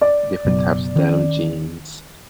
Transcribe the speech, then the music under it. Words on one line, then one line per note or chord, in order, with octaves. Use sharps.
different types of denim jeans.
D5
F#1 B2 F#3
D#3 C#4